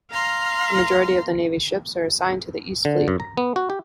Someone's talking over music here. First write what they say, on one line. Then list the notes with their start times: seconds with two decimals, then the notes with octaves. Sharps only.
The majority of the navy's ships are assigned to the East Fleet.
0.11 F5 A#5 C6 F6
2.85 D3
3.08 F#2
3.20 A#5
3.37 B3
3.56 F#4
3.70 G4